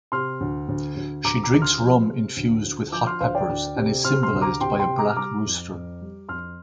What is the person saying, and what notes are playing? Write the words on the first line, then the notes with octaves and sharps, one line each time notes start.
She drinks rum infused with hot peppers and is symbolized by a black rooster.
C3 C6 F6
D2
D2
D2
D2 A#5 D6
A#5 D6
D2
C6 F6
F3
C3
D2
D2
F3 D6 G6
C6 F6
D2 C5 F5
D5 G5
D2
C3
C3 C6 F6
C6 F6
D2
A#5 D6
C3 G5 C6
G5 C6
C3
A#5 D6
F6
G3 A#5 D6
F2
F2
G3
F2 C6 F6